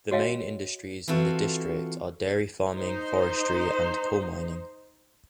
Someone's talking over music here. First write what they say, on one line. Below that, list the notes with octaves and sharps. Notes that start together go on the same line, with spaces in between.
The main industries in the district are dairy farming, forestry, and coal mining.
F#4 C#5 D#5 F5 G5
E3 C4 F4 F#4 A4
D#4 C5